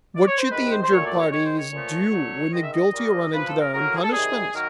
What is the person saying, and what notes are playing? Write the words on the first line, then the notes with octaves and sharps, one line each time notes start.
What should the injured parties do when the guilty run into their own punishment?
D5
C#5
C5
C3 D#3 G#3 B4
C5
C5
A#2 F#3 A3 C#5
D5
C#5
D#3 G#3 C#5
C5
C#5
A#2 F3 A3
D3 F#3 A3
D#3 G#3 D#5
E5
D#5
A#2 G3 A#3
A#2 F3 A#3 B4
A4
A#4
A2 F#3 A#3 A#4
G#4
A4
C3 D#3 G3 G#4
D#3 F#3 A#3 A#4